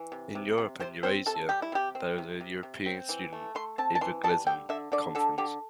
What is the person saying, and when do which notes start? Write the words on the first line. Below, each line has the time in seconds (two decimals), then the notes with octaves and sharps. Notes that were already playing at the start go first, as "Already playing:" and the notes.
In Europe and Eurasia, there is the European Student Evangelism Conference.
Already playing: E3
0.12 C3
0.35 C3
0.58 C3
0.80 C3 C5
1.03 C4 C5
1.26 C3 A4
1.49 G3 G4
1.62 E4
1.72 C3 G4
1.95 C4
2.18 C3
2.41 C3
2.63 C3
2.86 C4
3.09 E3
3.33 A3
3.55 A3 C6
3.78 C4 A5
3.95 A5
4.01 E3 C6
4.24 G3 A5
4.47 D3 G5
4.69 D3 E5
4.92 D3 D5
5.15 D3 A4
5.38 D3 G4